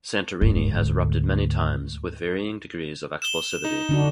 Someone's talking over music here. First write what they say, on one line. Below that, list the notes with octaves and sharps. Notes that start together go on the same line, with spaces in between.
Santorini has erupted many times, with varying degrees of explosivity.
D2 G#2
E7 G7
D#4
D3 D4 F#4